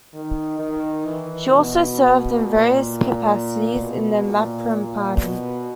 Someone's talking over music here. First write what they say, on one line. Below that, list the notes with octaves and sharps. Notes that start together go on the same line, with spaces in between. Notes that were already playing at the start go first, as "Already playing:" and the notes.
She also served in various capacities in the Mapam Party.
D#3
D#3
E3
B2
A#2
B2
A#2
A#2
B2